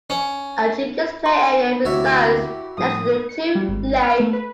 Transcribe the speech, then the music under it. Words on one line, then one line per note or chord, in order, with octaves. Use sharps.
A children's play area resides next to the two lakes.
C#4
C6
D2 C3 E4 F#4 G4 C#5 E5
A2 F3 G3 D#6
C#7
G3
G#1
F6
A3
B4